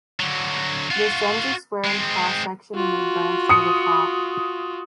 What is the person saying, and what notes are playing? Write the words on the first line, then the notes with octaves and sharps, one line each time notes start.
The stems are square in cross-section and may branch near the top.
D3 F#3
F4 F#4
G#3 C4
F4 F#4
D#6 C#7